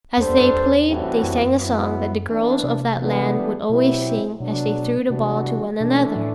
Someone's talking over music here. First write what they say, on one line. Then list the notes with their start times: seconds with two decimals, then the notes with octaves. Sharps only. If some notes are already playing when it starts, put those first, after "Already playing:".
As they played they sang a song that the girls of that land would always sing as they threw the ball to one another.
0.17 E2 G3 D4 A4 C5
0.30 E2
0.41 F#2
0.53 E2
0.88 A2 E3 G3 C4 F#4
1.23 F#2
1.33 E2
1.43 F#2
1.58 F#3 B3 E4
2.28 E3 B3 D4
2.63 C3
2.99 E3 G3 B3 D4 A4
3.69 B2 F#3 C4 E4 G4
4.39 B2 F#3 B3 D4
4.52 C3
4.67 B2
5.10 C3 E3 G3 B3 D4 F#4
5.80 B2 E3 A3 D4
6.16 A2